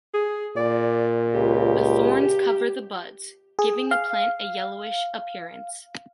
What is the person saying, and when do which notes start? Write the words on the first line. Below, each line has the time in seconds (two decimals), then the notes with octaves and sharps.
The thorns cover the buds, giving the plant a yellowish appearance.
0.14 G#4
0.57 A#2 D5
1.34 C#2 G4
3.59 G#4
3.91 F5